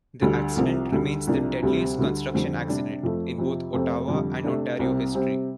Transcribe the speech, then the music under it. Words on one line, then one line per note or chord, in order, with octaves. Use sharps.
The accident remains the deadliest construction accident in both Ottawa and Ontario history.
D2 D3 G3
C2 C3 F3
D2 D3 G3
C2 C3 F3 D4
D2 C3 G3 C4
D2 D3 G3
F2 D3 G3 C4
C3 G3 D4
F2 F3 A3
F2 C3 F3
F2 C3 A3 C4
F2 D3 G3
C3 A3 D4
C2 C3 G3 C4
C3 G3 C4